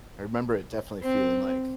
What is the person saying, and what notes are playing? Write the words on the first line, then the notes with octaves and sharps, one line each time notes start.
I remember it definitely feeling like,
C4